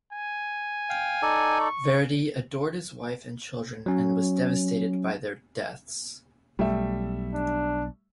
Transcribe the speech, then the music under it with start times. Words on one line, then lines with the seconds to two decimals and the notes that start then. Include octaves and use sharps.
Verdi adored his wife and children and was devastated by their deaths.
0.13 G#5
0.89 F5 G5
1.22 D#4 A4 D5
1.61 C#6
3.86 F#3 C#4
6.59 B1 G3 A3 E5
7.35 D4